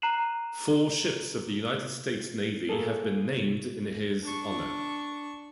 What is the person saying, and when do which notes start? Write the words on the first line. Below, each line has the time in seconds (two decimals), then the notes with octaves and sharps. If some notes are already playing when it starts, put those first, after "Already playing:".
Four ships of the United States Navy have been named in his honor.
0.02 A#5 F#6 C7 D#7 E7 F#7
2.69 A3 A#3 G#4 A4
4.23 D4 C#6